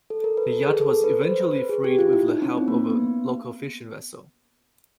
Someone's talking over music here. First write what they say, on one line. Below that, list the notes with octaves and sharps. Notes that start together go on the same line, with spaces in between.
The yacht was eventually freed with the help of a local fishing vessel.
A4
A#4
B4
A#4
A4
G#4
A4
B4
C5
B4
G#4
G4
F4
E4
D#4
C#4
C4
A#3
B3